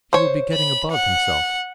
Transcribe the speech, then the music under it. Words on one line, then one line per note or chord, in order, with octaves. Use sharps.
He will be getting above himself.'
C5 C#5
B5
F#5